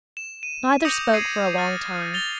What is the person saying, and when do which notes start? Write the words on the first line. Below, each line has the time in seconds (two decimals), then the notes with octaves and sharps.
Neither spoke for a long time.
0.17 E7
0.43 D#7
0.85 D6 D#6 G6 A#6 C#7 F7
1.13 G#6 C7 D#7
1.58 F6 A6
2.14 A6 F7 G7